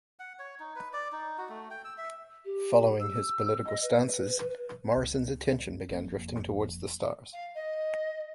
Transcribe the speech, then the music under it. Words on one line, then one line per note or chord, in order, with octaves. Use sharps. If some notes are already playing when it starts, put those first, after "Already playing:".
Following his political stances, Morrison's attention began drifting towards the stars.
F#5
C#5
D#4
B4
D5
D#4
F#4
A3
G5
E6
E5
G4
E6
D#5
B4
C#2
F#1 F2
F5
D#5